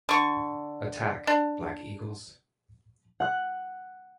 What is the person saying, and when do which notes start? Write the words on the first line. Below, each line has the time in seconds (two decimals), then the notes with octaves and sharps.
Attack, Black Eagles!
0.09 D3 C#6
1.27 D4
3.20 F#5 F#6